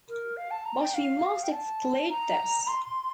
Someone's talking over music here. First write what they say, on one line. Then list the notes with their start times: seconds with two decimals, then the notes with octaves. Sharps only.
But we must exclude this.
0.09 A#4
0.37 F5
0.51 A5
0.65 A#5
0.81 G5
0.94 F5
1.43 G5
1.52 A5
2.09 A#5
2.67 C6